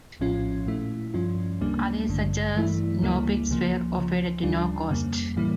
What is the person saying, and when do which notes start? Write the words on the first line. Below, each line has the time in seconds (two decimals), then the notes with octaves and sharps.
Others, such as Knoppix, were offered at no cost.
0.20 A#1 A2 F3 C#4 F4
0.66 A#2 A3 E4
1.14 G2 F3 C#4 F4
1.61 D2 C#3 G3 A#3 D4
2.08 A1 G2 D3
2.55 G2 E3 A3 E4
3.02 D2 C#3 G3 A#3 E4
3.49 C#2 C#3 F3 A#3
3.96 C#2 C#3 F3
4.43 D2 C#3 G3 D4 F4
4.90 F2 C#3 G3 A#3
5.36 A2 E3 G3 A#3 E4